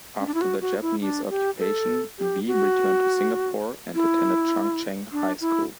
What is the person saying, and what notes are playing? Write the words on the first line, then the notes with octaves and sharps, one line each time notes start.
After the Japanese Occupation, Wee returned to Singapore and attended Chung Cheng High School.
C#4
D4
E4
F#4
F#4
E4
D4
G4
A4
G4
F#4
E4
D4
E4